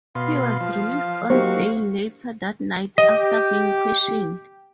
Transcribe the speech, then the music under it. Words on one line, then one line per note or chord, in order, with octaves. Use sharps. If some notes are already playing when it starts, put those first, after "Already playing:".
He was released on bail later that night after being questioned.
B2 F5 C6
F3
F#3 A#3 D#4 G4 C5 C#6
G4 D#5